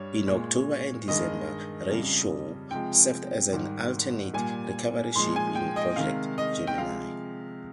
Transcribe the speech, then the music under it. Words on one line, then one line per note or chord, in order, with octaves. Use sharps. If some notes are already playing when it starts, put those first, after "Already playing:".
In October and December "Renshaw" served as an alternate recovery ship in Project Gemini.
Already playing: G2 G3 C#5
A#2 G#3
G2 D#3 G#3 D#5
F2 C#3 G3
C3 F3 G#3 G5
G#2 D#3 G3
A#2 G3 G#5
A#2 F3 G#3 C6
G#5
G5
D#5
C3 D#3 G#3 F5
D#5
G5
C3 F3 G#3 F5